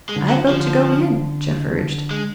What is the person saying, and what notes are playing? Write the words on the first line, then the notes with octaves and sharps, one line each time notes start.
"I vote to go in," Jeff urged.
G#3
D3
F#3
F3
D3
F3
G#3